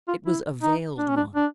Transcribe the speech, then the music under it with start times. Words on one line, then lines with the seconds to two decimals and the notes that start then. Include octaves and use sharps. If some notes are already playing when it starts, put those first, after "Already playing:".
It was a veiled one.
0.08 F4
0.26 E4
0.62 D#4
0.98 D4
1.08 C#4
1.16 D4
1.35 D4